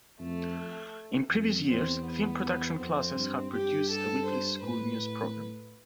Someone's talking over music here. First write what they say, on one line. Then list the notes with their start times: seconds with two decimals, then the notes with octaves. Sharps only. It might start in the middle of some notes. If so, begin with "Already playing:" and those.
In previous years, film production classes have produced a weekly school news program.
0.19 F2 A3
1.29 F2
1.66 E2 C4
2.03 B3
2.77 F2 C4
3.15 G2
3.51 G2 G4
3.89 A4
4.25 C5
4.62 A2 B4